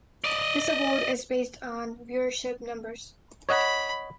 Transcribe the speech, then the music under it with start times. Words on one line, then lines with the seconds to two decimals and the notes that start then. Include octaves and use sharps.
This award is based on viewership numbers.
0.24 D5 D#5
3.49 C#5 D#5 F#5 B5